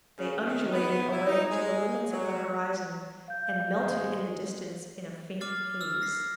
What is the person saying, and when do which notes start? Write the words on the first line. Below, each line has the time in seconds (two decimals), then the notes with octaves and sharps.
They undulated away to the limits of the horizon, and melted in the distance in a faint haze.
0.18 C#3
0.45 D#3
0.72 B3
1.12 E4
1.26 D#4
1.50 G#3
2.11 F#3
3.28 F5 G6
3.73 G#2 D#3 G#3
5.41 D6 F6 A6 C7
5.81 E6 F6
6.02 A#6 C7